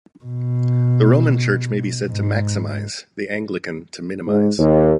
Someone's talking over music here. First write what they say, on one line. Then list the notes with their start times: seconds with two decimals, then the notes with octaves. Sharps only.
The Roman Church may be said to maximise, the Anglican to minimise.
0.24 B2
2.09 G#2
4.27 G#2
4.58 D#2